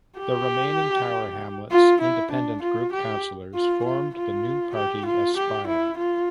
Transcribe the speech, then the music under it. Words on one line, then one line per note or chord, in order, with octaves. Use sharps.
The remaining Tower Hamlets Independent Group councillors formed the new party Aspire.
G4
F4
E4
D4
F4
G4
F4
F4
F4
G4
F4
G4
E4
F4